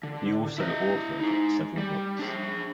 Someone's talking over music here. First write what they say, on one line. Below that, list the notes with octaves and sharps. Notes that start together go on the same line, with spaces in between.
He also authored several books.
D3
E4 D#5
D#4 G#4
G3
D4 G#4